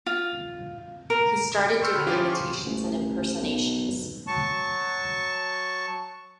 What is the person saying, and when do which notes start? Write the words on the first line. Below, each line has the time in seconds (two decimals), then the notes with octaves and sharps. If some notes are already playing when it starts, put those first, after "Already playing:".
He started doing imitations and impersonations.
0.06 F4
1.10 A#4
1.69 D7
1.82 C6 C#6 E6 F6 G6 C#7
1.94 D3 G5 B5
2.07 E3 F3 C#4 F4 G4 G#4
2.30 C6 C#6
2.66 A1
3.41 B1
4.27 F#3 A5 C#6